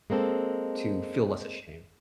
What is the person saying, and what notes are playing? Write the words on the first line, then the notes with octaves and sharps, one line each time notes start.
to feel less ashamed?
G#3 A#3 C4 A4